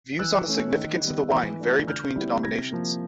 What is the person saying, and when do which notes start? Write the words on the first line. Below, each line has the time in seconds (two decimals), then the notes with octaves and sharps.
Views on the significance of the wine vary between denominations.
0.19 E3 E6 F#6
0.47 A3 C#4
0.75 D#3
1.04 G3 B3
1.32 E3
1.59 A3 D4 F4
1.88 D3 F6 G6
2.16 G3 C4 E4
2.43 C3 G#6 A#6
2.72 F3 A#3